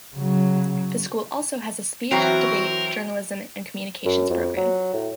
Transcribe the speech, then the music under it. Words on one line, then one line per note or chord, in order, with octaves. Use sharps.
The school also has a speech, debate, journalism, and communications program.
C#3 F#3
E3 F#3 C4 F#4 A#4
F#2
F2
F#3
A2